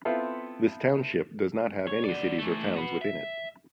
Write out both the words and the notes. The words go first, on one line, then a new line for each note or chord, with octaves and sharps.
This township does not have any cities or towns within it.
B3 C4 E4 F4 A4
C#5
F#4 D5
E3 A3
F#4 B4
E5